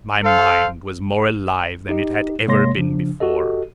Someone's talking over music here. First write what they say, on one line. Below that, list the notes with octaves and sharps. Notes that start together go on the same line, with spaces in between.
My mind was more alive than it had ever been before.
A4 C5 F5
D#4 G4 D#5
C3 G#3 A#3 C#5 C6 A#6
C#3 F3 D4
F#4 G4 A4 D#5